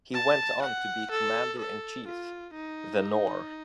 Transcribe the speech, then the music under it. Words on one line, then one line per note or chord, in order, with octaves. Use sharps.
He went on to be Commander-in-Chief, The Nore.
A5
F#5
A4
A4
F4
D#4